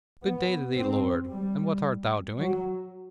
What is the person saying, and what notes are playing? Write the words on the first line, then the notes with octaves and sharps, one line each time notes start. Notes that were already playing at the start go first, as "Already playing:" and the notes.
'Good-day to thee, lord; and what art thou doing?'
B3
C4
G3
F#3